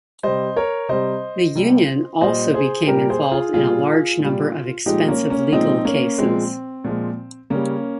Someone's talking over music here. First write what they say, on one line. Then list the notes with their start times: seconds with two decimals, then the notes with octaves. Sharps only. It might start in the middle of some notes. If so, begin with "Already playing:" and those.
The union also became involved in a large number of expensive legal cases.
0.23 C3 G3 C5 D#5
0.56 A#4 C#5
0.89 C3 G3 C5 D#5
1.55 C3 G3
2.21 A#2 G3 C5 D#5
2.54 G#4 C5
2.87 A#2 G3 G4 A#4
3.10 G#4 C5
3.32 F4 G#4
3.54 A#2 G3 F4 G#4
4.20 A#2 G3
4.86 A#2 F3 G#3 D#4 G4
5.08 A#3 C#4
5.30 A#3 C#4
5.52 A#2 F3 G#3 C4 D#4
5.85 A#3 C#4
6.18 A#2 F3 G#3 C4
6.84 A#2 F3 G#3
7.50 C#3 G3 A#3 C#4